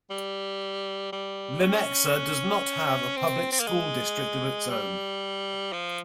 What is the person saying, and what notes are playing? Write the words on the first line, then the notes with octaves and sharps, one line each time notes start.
Lenexa does not have a public school district of its own.
G3
G3
C#4
C4
C4
A#3
G#3
G3
F3